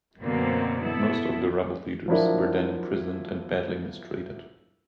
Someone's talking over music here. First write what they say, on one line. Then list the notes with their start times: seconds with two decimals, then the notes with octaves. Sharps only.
Most of the rebel leaders were then imprisoned and badly mistreated.
0.22 F#2 B2 D3 F#3 A#3 C4
0.82 B3 E4 A4
2.08 F3 F#3 D4 E4 A#4